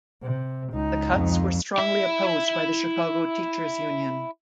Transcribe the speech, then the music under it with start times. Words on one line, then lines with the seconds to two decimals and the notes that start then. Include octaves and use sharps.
The cuts were strongly opposed by the Chicago Teachers Union.
0.22 C3
0.72 C#2 D#4
1.13 F2
1.78 E4 E5